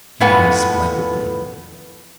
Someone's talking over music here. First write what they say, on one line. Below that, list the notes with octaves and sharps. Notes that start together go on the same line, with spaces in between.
He has splendid things.
F2 A2 B3 B4 F#5 G#5